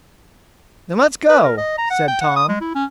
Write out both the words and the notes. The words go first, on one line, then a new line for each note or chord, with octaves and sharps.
"Then let's go," said Tom.
B4
A#4
D#5
A#5
F#5
G5
F#5
D#6
G#3
E4
C#4